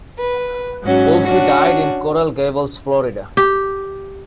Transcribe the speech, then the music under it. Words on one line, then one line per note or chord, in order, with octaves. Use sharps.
Wolfe died in Coral Gables, Florida.
B4
G#2 F#3 C#4 F#4
C#4 D4 F#4
G4